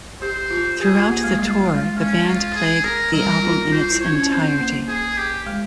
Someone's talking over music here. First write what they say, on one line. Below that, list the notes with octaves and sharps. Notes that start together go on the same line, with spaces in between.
Throughout the tour, the band played the album in its entirety.
G4 C5
F4
G4 G#4
F4
A#3 G#4
G#3
G3 F4
G#3
G#3 C#4
F4
G#4
A#4
G3 A#4
F4
F4 C5
E4
C#5
C#4
C#4
C4 C5
A#3
G#4
G4
G#3